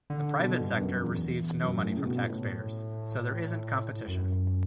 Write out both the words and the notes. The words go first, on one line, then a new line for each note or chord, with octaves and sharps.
The private sector receives no money from taxpayers, so there isn't competition.
D3
B2
G2
F#2
E2
F#2
A2
C#3
B2
A2
F#2